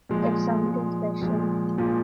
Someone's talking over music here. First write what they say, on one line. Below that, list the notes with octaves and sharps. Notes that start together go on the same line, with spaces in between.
It's something special.
A#2 F3 G#3
A#2 F3 G#3
A#2 F3 G#3
A#2 F3 G#3